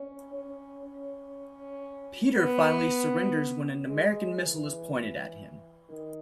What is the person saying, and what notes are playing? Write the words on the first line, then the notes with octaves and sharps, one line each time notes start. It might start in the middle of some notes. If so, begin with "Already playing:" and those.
Peter finally surrenders when an American missile is pointed at him.
Already playing: C#4
C#4
C#4
B3
G#3
E3
D#3